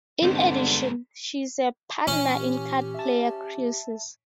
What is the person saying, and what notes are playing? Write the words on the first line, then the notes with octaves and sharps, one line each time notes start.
In addition, she is a partner in Card Player Cruises.
G2 D3 G#3 B3 C4 D#4 C5
A#2 E3 C#4
G4
E5 A5